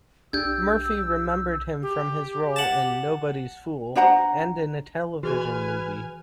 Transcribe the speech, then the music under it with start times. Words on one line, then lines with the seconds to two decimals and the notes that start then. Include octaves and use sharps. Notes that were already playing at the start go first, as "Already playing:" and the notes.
Murphy remembered him from his role in "Nobody's Fool" and in a television movie.
0.33 B1 D4 G4 E6 G6 G#6
1.82 G4
2.56 F#5 A5
3.95 D4 C5 F#5 A#5
5.23 E3 F#4 G#4 B4 D#5 G#5 F6